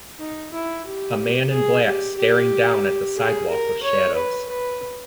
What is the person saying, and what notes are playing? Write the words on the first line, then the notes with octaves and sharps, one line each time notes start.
A man in black staring down at the sidewalk with shadows.
D#4
E4
G4
G#4
G4
G4
G#4
A#4
C#5
B4
B4